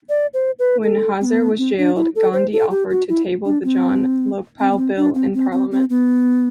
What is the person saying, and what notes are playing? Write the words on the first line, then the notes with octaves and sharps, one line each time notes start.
When Hazare was jailed, Gandhi offered to table the Jan Lokpal Bill in Parliament.
D5
C5
B4
A4
C4
B3
C4
D4
E4
A4
C5
A4
G4
F#4
E4
D4
C4
C4
B3
C4
D4
C4
C4
C4
C4
B3